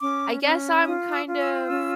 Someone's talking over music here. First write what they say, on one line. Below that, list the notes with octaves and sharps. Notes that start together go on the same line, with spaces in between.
I guess I'm kind of
C#4 D6
C#4
F4 D#6
E6
F4
E6
C#4 E6